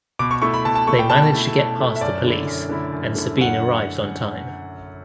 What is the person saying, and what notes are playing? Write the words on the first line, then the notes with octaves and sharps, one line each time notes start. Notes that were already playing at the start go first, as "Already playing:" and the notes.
They manage to get past the police, and Sabine arrives on time.
B2 D6
C#6
A3 E4 C#6
B5
B2 A5
A5
A3 E4 C#6
G5
B2 A5
A3 E4
B2
A3 E4
E5
F#2 D5
D3 A3 E4
F#2
D3 A3 E4
F#2
D3 A3 E4
F#2 F#5